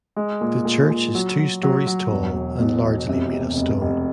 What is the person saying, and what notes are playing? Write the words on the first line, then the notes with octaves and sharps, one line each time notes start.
The church is two stories tall and largely made of stone.
G#3
A#2
A#2
A#2
F#3
F#3
F#3
F#3
E1
E1
B2
E1
C3
F1
F1
F1